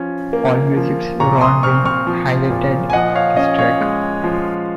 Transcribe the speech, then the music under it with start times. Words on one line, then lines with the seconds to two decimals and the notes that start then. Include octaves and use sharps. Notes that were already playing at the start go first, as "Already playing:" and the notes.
Allmusic's Ron Wynn highlighted this track.
Already playing: F3 C#4
0.33 A#3
0.76 F3
1.20 A#2 A#5 C#6
1.41 C6 D#6
1.63 C4 C#6 F6
1.85 C#6 F6
2.07 F3
2.50 A#2
2.90 G#5
2.93 F3 D#5 F#5
3.15 C#5 F5
3.36 C#4 D#5
3.59 C#5 F5
3.81 G#3
4.24 F3